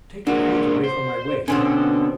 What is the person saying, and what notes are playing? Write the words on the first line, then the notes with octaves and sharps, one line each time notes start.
"Take your hands away from my waist."
G#3 A#3 D4 F#4
C5
B2 D3 C4 C#4